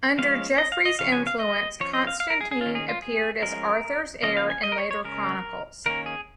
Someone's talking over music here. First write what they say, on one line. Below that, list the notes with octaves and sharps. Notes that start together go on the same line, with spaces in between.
Under Geoffrey's influence, Constantine appeared as Arthur's heir in later chronicles.
F3 G#3 C#4 F5
D#5
F5
D#5
C#3 F3 C#4 F5
G#5
F5
D#5
F3 C#4 C#5
D#5
F5
F5
A#4
G#4
G#4
C#4 F4
D#3
G#4
F4
G#4
F3 G#3 C#4 A#4
C#3 F3 A#3 C#4 D#5
F5
G#5
D#5
A#4
C#5
C#5
C#3 G#3 C#4 A#4
D#3 A#3 C#4 A#4
G#4